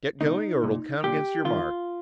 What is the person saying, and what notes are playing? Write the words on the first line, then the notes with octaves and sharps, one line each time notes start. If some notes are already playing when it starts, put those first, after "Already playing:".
"Get going or it'll count against your mark!"
C#2 B2 D#4
C2 A#2
B1 A#2 G4
C2 C3 D#3 F4